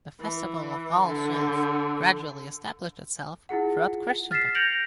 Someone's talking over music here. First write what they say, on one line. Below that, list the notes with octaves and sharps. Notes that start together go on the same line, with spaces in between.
The festival of All Souls gradually established itself throughout Christendom.
E3
D3
E4 F4 G#4 F#5
F6 A6 B6 C7 E7
G6 A#6 C#7 D7 F7 F#7